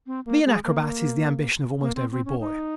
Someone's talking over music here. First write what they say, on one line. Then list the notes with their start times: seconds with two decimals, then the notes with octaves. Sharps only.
To be an acrobat is the ambition of almost every boy.
0.07 C4
0.26 A#3
0.46 G#3
0.64 A#3
1.81 A#3
1.96 C4
2.11 C4
2.25 C#4
2.40 D#4